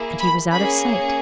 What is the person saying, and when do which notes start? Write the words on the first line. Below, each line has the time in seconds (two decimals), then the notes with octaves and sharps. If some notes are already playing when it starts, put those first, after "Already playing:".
And he was out of sight!
Already playing: A#3 E4 G#4
0.19 B5
0.51 A#3 C#4 G#4 B5